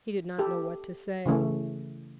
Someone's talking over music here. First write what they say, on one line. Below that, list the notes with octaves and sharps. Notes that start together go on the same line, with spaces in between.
He did not know what to say.
G4 A4
C#3 E3 A3 C#4